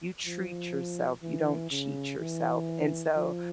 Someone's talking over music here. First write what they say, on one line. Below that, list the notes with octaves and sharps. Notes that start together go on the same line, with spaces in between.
you treat yourself, you don't cheat yourself, and so
F3
E3
C#3
E3
F3